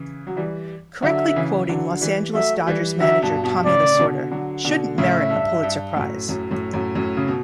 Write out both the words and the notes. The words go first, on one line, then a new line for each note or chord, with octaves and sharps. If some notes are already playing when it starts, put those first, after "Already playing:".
Correctly quoting Los Angeles Dodgers manager Tommy Lasorda shouldn't merit a Pulitzer Prize.
Already playing: C#3 E3
F#3
E3 G3
D3 F#3 E5
C#3 E3
D3 F#3
E3 G3
F#3 A3 E5
E3 G3
D3 F#3 E5
G2 B2
G2 B2
B2
A2 C#3 D5
C#3
B2 D3
D3 F#3
B2 D3
A2 C#3 E5
G2
G2
F#2 A2
F#2 A2
F#2 A2
F#2 A2
F#2 A2
C#3
B2